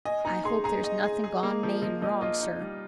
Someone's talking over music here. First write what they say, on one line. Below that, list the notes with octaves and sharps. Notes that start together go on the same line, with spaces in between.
I hope there's nothing gone main wrong, sir.
D#5 G#5
D#4 A#5
G#4 C6
G#4 A#5
D#5
G#4
G#4
A#3
F3
F3 D#5
F3 D#5
F4 D#5
D#4
G3